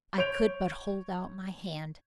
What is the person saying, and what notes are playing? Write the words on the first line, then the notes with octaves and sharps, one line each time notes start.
I could but hold out my hand.
C#5 G6 D7 F7